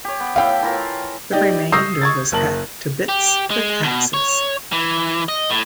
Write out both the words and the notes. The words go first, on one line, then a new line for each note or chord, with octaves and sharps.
The remainder was hacked to bits with axes...
G4 C#5
B3
A2 E4 F5 G5
E3 F4 A#4
D#4 G4 D5 D#5 G5
C#6 D#6 E6 G6 A#6 C7
C#6 G#6 A6
F#1 A#4 A5 F#7
G4
G#3
B2
C#5
E3
D#5
A2